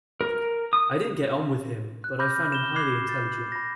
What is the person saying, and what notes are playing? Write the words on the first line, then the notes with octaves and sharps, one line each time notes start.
I didn't get on with him but I found him highly intelligent.
A#4
D#6
F#6
B5 D6 F6 G6 A#6
E7 G7
B5 D6 F#6 G#6 C7
G6 A6
B5 A#6